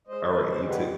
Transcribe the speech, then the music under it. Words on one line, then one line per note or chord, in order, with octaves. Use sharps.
Alright, you too.
G#3 C5 D#5
B4 D5
G#3
G#4 C5
D3
G4 B4